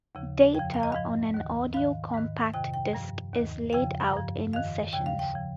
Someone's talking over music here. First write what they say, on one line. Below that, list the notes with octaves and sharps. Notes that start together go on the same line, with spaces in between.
Data on an audio compact disc is laid out in sessions.
D#2 C#3 F3
F2 C#3 F3 G5
F5
D#5
G#2 F3 F5
D#2 D#3
G#2 D#3 F5
G#2 D#3
F2 C3 D#3 G5
G5
G2 F3
D#2 D#3
F2 C#3 F3 G5
G2 F3
F2 D#3 F5
D#2 C#3 F3 G5
F5
G5
C#3 F3